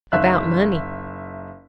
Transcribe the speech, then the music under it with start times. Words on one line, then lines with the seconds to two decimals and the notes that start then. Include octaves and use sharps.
"About money."
0.12 F#1 D#4 E5 F5 F#6